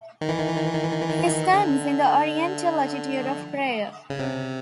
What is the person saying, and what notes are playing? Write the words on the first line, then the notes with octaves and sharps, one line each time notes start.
He stands in the Oriental attitude of prayer.
D#3
E3
D#3
E3
D#3
E3
D#3
E3
D#3
E3
D#3
E3
D#3
D3
C#3
C3